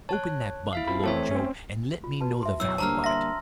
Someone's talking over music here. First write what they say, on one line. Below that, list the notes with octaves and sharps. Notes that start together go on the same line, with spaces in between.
Open that bundle, old Joe, and let me know the value of it.
C#5 A5 F#6
E4 E5 F5
C4 F4 B5
E3 A3 C4 A4 C#5 E5
C4 C#4
F4
F#4 B4 A5
E5 C6
B2 F#3 E4 C#5 E6
D3 G3 A#3 C5 A5 A#5 C#6 F6
E5 F#5 C6 A#6